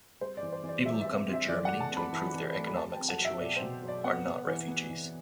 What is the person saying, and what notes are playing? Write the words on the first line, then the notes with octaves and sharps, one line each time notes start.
People who come to Germany to improve their economic situation are not refugees.
G3 C5
D5
E3
C5
E3
D5
G3 E5
E5
C4
C4
E5
E3 D5
F#5
A3
A5
C4
B5
E3
E3
A3
B5
F#3 A5
G5
C4
F#5
F#3
E5
B2 D5
C5
B2
F#3
D5
B3 F#5
B3
E3
B3
E3